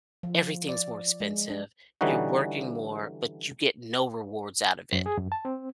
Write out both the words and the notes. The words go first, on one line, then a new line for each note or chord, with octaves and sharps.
everything's more expensive, you're working more, but you get no rewards out of it
F3
D5
G#3
D4
D3 E3 G3 C#4 D#4 F#4
F#2
G#4
F#2
A5
C4